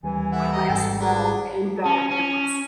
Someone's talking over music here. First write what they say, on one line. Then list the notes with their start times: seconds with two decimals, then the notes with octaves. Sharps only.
my last bowl came back, it was
0.03 D#2 E3 G3 G#5
0.31 A3 E4 F#5
0.52 D#5 A#5
0.68 G#1 G#2 G3 A4
0.99 D4 G#4 A#4 B4
1.86 C#4
2.11 C#4